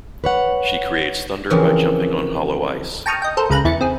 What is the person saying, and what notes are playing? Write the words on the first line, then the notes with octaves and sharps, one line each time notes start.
She creates thunder by jumping on hollow ice.
B4 C#5 F#5
C#3 E3 F3 A#3 C4 C#4
G5 A5 A#5 C#6 D#6 F6
D#5 G5
A4 A#4 C5
C#2 C#3 A#4 B4 A#5 F#6
E2 E4 A6 C#7
C4 G#4